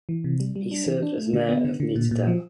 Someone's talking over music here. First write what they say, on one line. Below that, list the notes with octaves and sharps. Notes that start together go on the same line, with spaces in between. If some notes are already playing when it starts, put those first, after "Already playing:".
He served as mayor of Nittedal.
E3
C3
G3
G3
D4
E3
D4
A3
D3
B3
D3
D3
A#2
A#2
F3